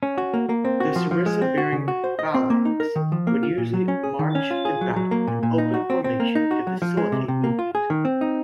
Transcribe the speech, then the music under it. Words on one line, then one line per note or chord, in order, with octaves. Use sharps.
The sarissa-bearing phalanx would usually march to battle in open formation to facilitate movement.
C#4
F#4
A#3
A#3
C4
F#4
F3
F3
G#3
C4
F#4
C#3
F#4
C5
D#5
C4
A#3
D#4
A#4
D#3
F3
A#3
F4
A#2
F#3
C#4
G#4
D#3
C#4
F4
G#4
F#3
F#3
A#3
A#2
A#2
D#4
F#4
C4
C4
A#3
D#4
F#4
F#3
F3
G#3
C3
C3
A#3
F4
G#4
D#3
C4
D#4